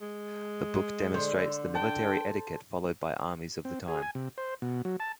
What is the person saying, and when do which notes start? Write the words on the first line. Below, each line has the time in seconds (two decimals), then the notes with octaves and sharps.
The book demonstrates the military etiquette followed by armies of the time.
0.01 G#3
1.14 D3 C5
1.75 G5 A5
3.65 C4
3.88 G#4
4.02 G#5
4.15 C3
4.38 C5
4.62 B2
4.85 F#3
5.00 A5